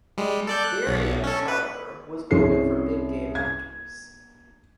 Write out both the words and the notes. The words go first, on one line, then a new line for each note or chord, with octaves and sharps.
The area, however, was open for big game hunters.
G3 G#3
A4 D5 G6
F#6
B1
C#4 A4
B4
C2 C#4 G#4 C7
G#6